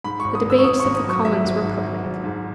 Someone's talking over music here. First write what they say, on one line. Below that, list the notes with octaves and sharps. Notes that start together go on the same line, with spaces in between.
The debates of the Commons were public.
G#2 B5
G#1 C#6
D#6
G#1
E6
C#6
G#1 D#6
G#1 C#6
D#6
F#3 C#6
F#3 E5
G#1
G#2
F#3
G#1
G#2